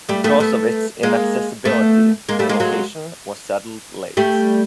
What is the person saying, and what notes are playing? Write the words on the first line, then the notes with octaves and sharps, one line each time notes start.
Because of its inaccessibility, the location was settled late.
G3 A3
A3 B3
A3 B3
G#3 A#3
A3 B3
G#3 A#3
G3 A3
G#3 A#3
F#3 G#3
G3 A3